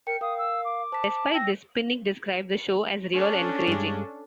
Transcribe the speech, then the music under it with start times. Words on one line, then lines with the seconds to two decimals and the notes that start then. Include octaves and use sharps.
Despite this, Pinnick described the show as real encouraging.
0.07 A#4 G5 C#7
0.21 A#4 F5 D#6
0.38 E6
0.64 D6
0.92 C5 A5 B6
1.34 G5 E6 A#6
3.12 C#4 D4 A4
3.67 G2 G#3